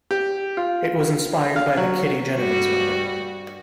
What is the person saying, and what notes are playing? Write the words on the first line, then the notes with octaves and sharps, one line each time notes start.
It was inspired by the Kitty Genovese murder.
G4
F4
F5
F#3
G2 G3 F#4